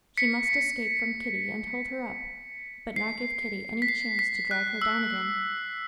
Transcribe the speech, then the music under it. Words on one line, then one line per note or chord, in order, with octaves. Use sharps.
She must escape from Kitty and hold her up, but not give Kitty any chance to drag her down again.
B6 C#7
C7
B6
C7
B6
F#6
E6